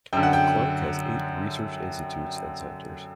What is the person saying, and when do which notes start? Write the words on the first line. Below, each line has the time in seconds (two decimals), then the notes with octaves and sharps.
Clark has eight research institutes and centers.
0.13 F#2 D3 G5
0.23 F#5
0.33 G5